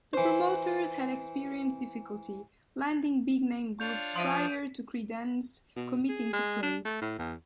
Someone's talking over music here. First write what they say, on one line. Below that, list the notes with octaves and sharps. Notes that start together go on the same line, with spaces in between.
The promoters had experienced difficulty landing big-name groups prior to Creedence committing to play.
E3 C5
D4 F4 C#5 G6 F7
F3 E5 F5 C6 D#6 D7 D#7
B2
G#4
G#3
D4
A3
A2
E2